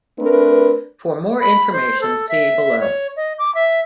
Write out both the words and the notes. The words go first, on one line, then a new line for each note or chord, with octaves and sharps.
For more information, see below.
A3 C4 D4 A#4 B4
B5
C5
A4
E5
C#5
D#5
D6
E5